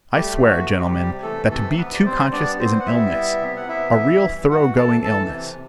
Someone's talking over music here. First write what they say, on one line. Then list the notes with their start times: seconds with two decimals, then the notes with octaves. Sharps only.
I swear, gentlemen, that to be too conscious is an illness--a real thorough-going illness.
0.14 G3 A3 G4
0.42 E3 F#4
0.69 C3
0.78 F#4
0.82 G3 G4
0.96 C3
1.23 E3 A3 A4
1.50 C3 A3 A4
1.78 B3 B4
1.94 D5
2.05 G3 C4 C5
2.32 B3 D4 D5
2.59 B3 C4 C5
2.80 F#5
2.86 G3 E4 E5
3.14 B3
3.41 C3
3.56 F#5
3.68 B3 E4 E5
3.96 E3
4.22 G2
4.49 E3 F#4 F#5
4.77 E3 A4 A5
5.04 E3 A4 A5
5.32 C3